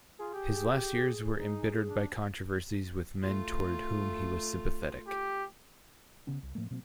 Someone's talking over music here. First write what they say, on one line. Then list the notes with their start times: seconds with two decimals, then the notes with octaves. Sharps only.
His last years were embittered by controversies with men toward whom he was sympathetic.
0.19 F4 G#4
0.34 G4
1.32 D#4
1.86 D4
3.21 A3 F4
5.07 G4
6.27 C#3 B3 C#4
6.43 C2
6.55 A2 F3 A3 A#3
6.71 B2 F#3 A#3 C4